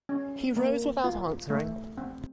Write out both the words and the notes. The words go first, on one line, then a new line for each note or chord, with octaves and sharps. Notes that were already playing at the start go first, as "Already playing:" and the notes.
He rose without answering.
C#4
A#3
F4
A3
C4